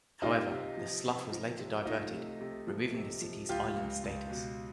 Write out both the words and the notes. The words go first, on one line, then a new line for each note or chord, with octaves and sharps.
However, the slough was later diverted, removing the city's island status.
C3 D#4 F4
C3
F3
C3
F3
C3
A3 D#4 F4
C3
C3
F3
C3
F3
C#2 F4 G4
C#2
C#2
B2